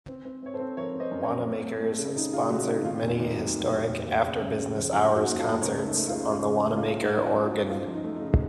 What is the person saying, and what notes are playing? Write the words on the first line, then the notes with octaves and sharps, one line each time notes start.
Wanamaker's sponsored many historic after-business-hours concerts on the Wanamaker Organ.
C4
C4
C4 C#5
A4 C5
C4
F3 A#4 C#5
C4
C5 D#5
F#2
A#4 C#5
C4
A3
A3
A3
C#3
C#3 D#4
C#3 F4
A3 D#4 F#4
C4 D#4 F#4
D#3 F4
F1
D#2 D#4
F#3
D#2
D#2
F1
D#2
C#3
F#2
C#3
F3
F#2 F4
F#2
D#4 F#4
A#3
F4 A4
A#3
C#2 A#4 C#5
A3
D#4
A3
F4
C#3
C#3 F4
C#2
D#4
C#2
F4
C#2
F4
A3 D#4
F#2
F4
F#2
D#4 F#4
F#2
F#2 F4
F3
D#4
A3
D#4
C#3